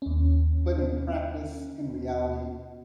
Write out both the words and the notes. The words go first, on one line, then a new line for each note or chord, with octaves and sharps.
but in practice, in reality,
D#2 C#4